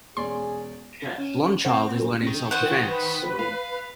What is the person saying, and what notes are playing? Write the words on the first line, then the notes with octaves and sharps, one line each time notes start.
Blond child is learning self deference.
E1 C#4 G#4 D5 C6
C#4
C4 C5 F#5
D#3
C5 F#5
B4
F5